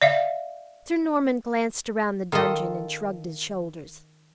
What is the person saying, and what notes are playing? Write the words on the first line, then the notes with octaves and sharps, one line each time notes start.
Sir Norman glanced round the dungeon and shrugged his shoulders.
D5 E5 F5
D#3 F4 A4 D#5